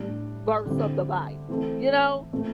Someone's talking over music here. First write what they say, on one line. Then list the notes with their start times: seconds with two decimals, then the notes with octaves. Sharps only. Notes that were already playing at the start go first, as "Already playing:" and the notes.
verse of the Bible, you know?
Already playing: A2 G3 D4
0.66 D3 G3 C4 E4 G4
1.49 E3 A3 C4 E4 A4
2.32 A#2 A3 C4